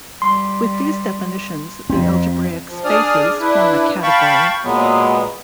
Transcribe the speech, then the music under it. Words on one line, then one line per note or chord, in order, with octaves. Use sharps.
With these definitions, the algebraic spaces form a category.
G3 C6
F2 C4
F3
D4 G#4 D5 D#6 F6
D4 E4 B4
F5 G5 A5 B5 C#6
A#2 F#3 G#3 B3